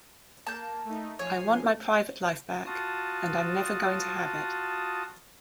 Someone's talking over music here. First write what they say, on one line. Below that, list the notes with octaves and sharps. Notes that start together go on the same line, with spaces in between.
I want my private life back and I'm never going to have it.
A#3 A5 G6
A3 D#4
F3 C#5 G#5 C7
F4 F#4 A5 D#6